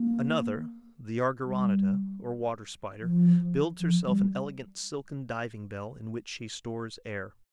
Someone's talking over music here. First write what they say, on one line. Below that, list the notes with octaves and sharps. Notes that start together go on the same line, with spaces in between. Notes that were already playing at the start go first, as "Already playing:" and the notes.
Another, the Argyroneta, or Water Spider, builds herself an elegant silken diving-bell, in which she stores air.
Already playing: A#3
G3
F3
F3
G3